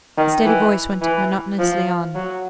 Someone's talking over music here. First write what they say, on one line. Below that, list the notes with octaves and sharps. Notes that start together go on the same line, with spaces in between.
The steady voice went monotonously on.
D#3
E3
E3
F3
F#3